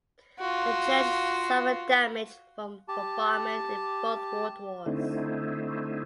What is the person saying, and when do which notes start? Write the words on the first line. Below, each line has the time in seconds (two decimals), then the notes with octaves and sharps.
The church suffered damage from bombardment in both World Wars.
0.39 F4 F#4
2.88 G4 A5
4.86 D3 A3 C4 D#4 E4